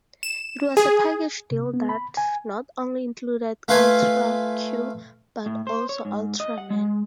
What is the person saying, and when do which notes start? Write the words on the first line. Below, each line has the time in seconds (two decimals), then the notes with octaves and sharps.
It was a package deal that not only included "Ultra Q", but also Ultraman.
0.23 E7
0.77 G#4
1.51 C3
1.74 B3
1.89 B5
2.17 G#5
3.68 A3 F4 B4 F5 G#5
5.46 A2
5.67 C5
5.89 C#5
6.05 G#2
6.40 D#5
6.58 F#5
6.70 G#3